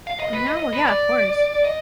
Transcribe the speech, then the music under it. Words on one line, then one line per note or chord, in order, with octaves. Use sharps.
No, yeah, of course.
F5
D#5
B4
D#5
D#5
B4
D5
D#5